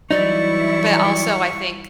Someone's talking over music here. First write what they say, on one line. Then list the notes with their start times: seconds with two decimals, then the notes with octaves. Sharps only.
but, also, I think
0.11 E3 F#3 G3 D#4 E4 D5 C#6